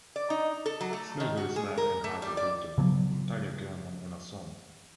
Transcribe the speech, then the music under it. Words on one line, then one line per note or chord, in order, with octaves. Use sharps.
Snegur is married and has a daughter, Natalia Gherman, and a son.
D5
D#4
A4
F#3
A3
D#3
F#4
G#4
A#4
A3
G3
D5
C#3 F3 F#3 B3